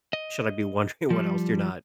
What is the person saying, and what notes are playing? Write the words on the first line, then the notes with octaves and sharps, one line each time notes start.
should I be wondering what else you're not
D#5
F3 G3